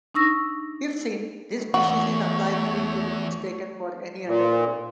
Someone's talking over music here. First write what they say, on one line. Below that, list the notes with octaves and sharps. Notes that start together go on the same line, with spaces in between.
If seen, this species is unlikely to be mistaken for any other bird.
D4 D#4 C#6 E6 A#6
E2 A3 F#4 C#5
A#2